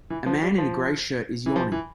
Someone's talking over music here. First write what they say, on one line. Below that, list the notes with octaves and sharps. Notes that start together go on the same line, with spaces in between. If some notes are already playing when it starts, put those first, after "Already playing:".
A man in a gray shirt is yawning.
E3
F3
G3
F3
E3
F3
E3